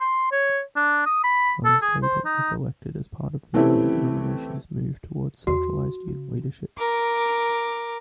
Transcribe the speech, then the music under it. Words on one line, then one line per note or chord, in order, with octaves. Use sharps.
John Seybert was elected as part of the young denomination's move towards centralized leadership.
C6
C#5
D4
D#6
B5
A4
G#4
C5
D#4
E3 A3 C4 C#4 E4 G4
E2 F#4
C#3
A#4 D6